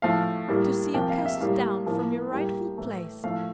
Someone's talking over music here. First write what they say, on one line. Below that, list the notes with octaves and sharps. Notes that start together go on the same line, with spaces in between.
To see you cast down from your rightful place!
A2 F3 A3 F5
A2 G3 A#3
C3 F3 A#3 G5
F5
E5
A2 G3 A#3 F5
A2 F3 A#3
A2 G3 A#3 G5
A2 E3 A3
A2 F3 A3 F5